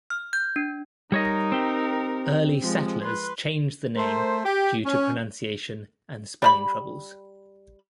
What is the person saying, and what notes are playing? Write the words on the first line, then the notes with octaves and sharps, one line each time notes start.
Early settlers changed the name due to pronunciation and spelling troubles.
F6
G6
D4
G3 D#4 A#4 C#5 D#5
C4 G4
F3 G#3
B4 C6
A3 A#4 C5
G4
C#4
G3 A#4 B5